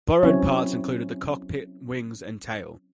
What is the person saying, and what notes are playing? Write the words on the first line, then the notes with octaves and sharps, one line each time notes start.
Borrowed parts included the cockpit, wings, and tail.
F#3 C4 C#4 E4 C#5